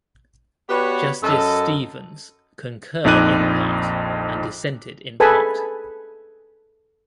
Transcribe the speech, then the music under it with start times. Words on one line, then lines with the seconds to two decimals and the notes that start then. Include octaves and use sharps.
Justice Stevens concurred in part and dissented in part.
0.69 B3 F#4 G4 B4 C#5 D5
1.23 F#2 A4 D#5
3.05 A#1 F2 D#4 D6 F#6 D#7
5.20 G#4 A4 B4 G#5 A5 B5